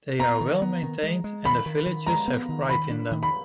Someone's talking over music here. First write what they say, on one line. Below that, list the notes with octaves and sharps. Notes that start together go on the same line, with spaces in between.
They are well maintained and the villagers have pride in them.
B3 A#5
D#3
B3
D#3
G#3
G#3
D#3 B5
D#3
D#3
G#3 A#5
B3
D#3
D#3 B5
D4
D#3
B5